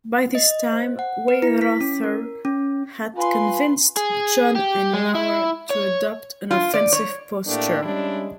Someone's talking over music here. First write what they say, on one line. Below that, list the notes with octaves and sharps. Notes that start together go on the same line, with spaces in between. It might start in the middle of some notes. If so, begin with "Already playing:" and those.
By this time, Weyrother had convinced John and Lauer to adopt an offensive posture.
D#5
C5
F#5
B4
E4
B6
C#4
A#4
C#4
F4 B4 G#5 C6
G#4
G4
G#3
E4
C#5
F4
D5
C#5
A2 A3 A#3 D4 G4
G3 G#3 C#4 D4 E4